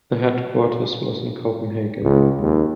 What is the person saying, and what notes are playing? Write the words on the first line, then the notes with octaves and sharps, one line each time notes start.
The headquarters was in Copenhagen.
C#2
D#2